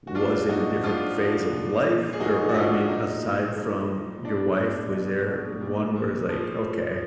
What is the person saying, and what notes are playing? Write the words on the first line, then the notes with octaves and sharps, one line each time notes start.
was in a different phase of life? Or or, I mean, aside from your wife, was there one where it's like, "Okay,
F#4
A#2 D4 F4
A#2 D#4 F#4
F3 D4 F4
F3
A#2
A#2
G#4
F3 D#4 F#4
F#4
F3 D4 F4
A#2 D#4
A#2
F3
F3
B2 D4
B2 D4
B2
B2
A#2
A#2
F3
F3